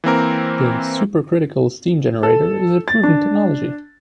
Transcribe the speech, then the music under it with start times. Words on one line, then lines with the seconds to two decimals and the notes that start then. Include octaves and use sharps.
The supercritical steam generator is a proven technology.
0.04 E3 A#3 C4 A#4
2.23 A4
2.88 A6
3.03 D4